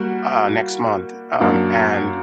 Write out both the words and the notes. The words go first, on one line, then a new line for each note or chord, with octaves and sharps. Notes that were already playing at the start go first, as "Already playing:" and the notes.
uh, next month, um, and
Already playing: G3 A#3 F#4
F#2 F#3 A#3 D4